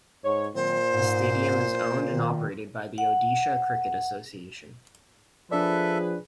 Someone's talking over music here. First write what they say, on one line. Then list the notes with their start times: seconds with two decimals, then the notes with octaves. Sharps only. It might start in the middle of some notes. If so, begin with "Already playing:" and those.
The stadium is owned and operated by the Odisha Cricket Association.
0.25 G#2 C#5
0.55 A#2 D#3 F#3 C4 C5
0.93 G#2
2.12 D#3
2.98 F#5
5.52 F3 D4 G#4 A4 B4 D5 E5